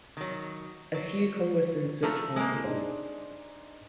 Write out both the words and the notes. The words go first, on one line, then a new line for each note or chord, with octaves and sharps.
A few Congressmen switched parties.
D#3 F#3
F#3
F3 A3 A#5
G#3 A#3
D4 D#4 G#4 C5